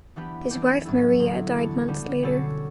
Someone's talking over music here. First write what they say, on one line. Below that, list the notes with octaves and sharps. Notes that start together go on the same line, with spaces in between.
His wife Maria died months later.
E3 B3 D4 G4 B4
E3 G3 D4 G4
A2 F#3 B3 E4 A4
E2 D3 A3
E3 B3 D4 F#4 A4
D3 G3 B3
B2 G3 C#4 F#4 A4